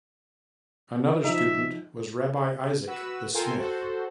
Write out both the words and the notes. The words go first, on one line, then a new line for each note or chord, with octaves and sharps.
Another student was Rabbi Isaac the smith.
F3 D#4 E5
F#4 B4 E6
F4 A4 A#4 G5 G#5 C6
F#4 A4 C5